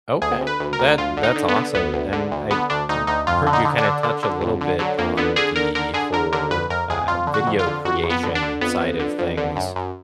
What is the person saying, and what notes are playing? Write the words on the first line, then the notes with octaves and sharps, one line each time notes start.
Okay, that that's awesome, and I, mm, heard you kinda touch a little bit on the whole, uh, video creation side of things.
D2 G#4
D2
B4
D2
A#4
D2
D2 F4
D3
D#4
D3
B3
D3
D2 B3
D2
D3
D2
D3 B3
D2 D4
D2 D#4
D2 D#4
F2 F4
D3
D#4
D3
D4
D3
D3
D3
F2
D3
D3 F#3
F2 A#3
D3 B3
D3 G#4
D3 A#4
D3 A#4
D3 G#4
D3 A#4
D3 A#4
F2 B4
F2 A#4
F2 G#4
F2 F4
D3
F#4
F2
F4
D3
F2 F#4
F2
B3
D3
D4
D3
F2 B3
F2
D3
F2
D3
F#2
F#2